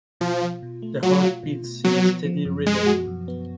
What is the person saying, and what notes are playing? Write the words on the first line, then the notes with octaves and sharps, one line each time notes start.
The heart beats in a steady rhythm.
B2 F3
F4
B2
A3
F#3 F4
F4
B2
B2
F#3 B3
F3
F3
F#2
F3 G#3
F#4
F#2
B3